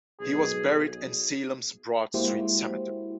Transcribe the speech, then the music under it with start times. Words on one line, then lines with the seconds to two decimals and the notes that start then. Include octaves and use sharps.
He was buried in Salem's Broad Street Cemetery.
0.20 B1 G#4
2.14 G#3 A#3 E4 F#4 G4 C5